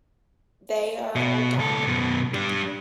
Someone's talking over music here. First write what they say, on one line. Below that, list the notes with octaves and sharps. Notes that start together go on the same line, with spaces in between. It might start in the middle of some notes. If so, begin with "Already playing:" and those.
They are all gone.
B2
C#2 A4
F#2 B2
G3 D4